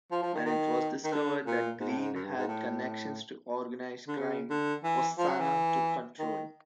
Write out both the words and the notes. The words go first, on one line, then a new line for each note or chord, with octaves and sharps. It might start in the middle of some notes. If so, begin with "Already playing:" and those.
When it was discovered that Green had connections to organized crime, Ossanna took control.
F3
F3
D#3
D#3
D#3
D3
A#2
G#2
A2
G#2
F#2
G2
G#2
A2
D3
C#3
D3
E3
F3
F#3
E3
D#3